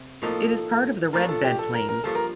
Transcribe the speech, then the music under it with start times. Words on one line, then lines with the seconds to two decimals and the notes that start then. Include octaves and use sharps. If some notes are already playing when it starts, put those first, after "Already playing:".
It is part of the Red Bed plains.
Already playing: C3
0.22 A2 F3 A#3 D#4 A4
1.13 F3 A3 D4 F4 A#4
1.29 A4
1.44 G4
1.59 A4
1.74 A#4
1.89 A#4
2.04 G2 F3 A#3 A4
2.15 A#4